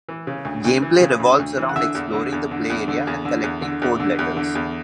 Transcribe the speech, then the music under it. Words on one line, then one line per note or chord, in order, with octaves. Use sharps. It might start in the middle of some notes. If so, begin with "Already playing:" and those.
Gameplay revolves around exploring the play-area and collecting code-letters.
E3
C#3
D2
D2
E3
C#3
D2
D2
E3
F#5
D3 E5
E2
D3
E2
D3
E2
D3
E2
D3
E2
D3
E2
D3
E2
D3
E2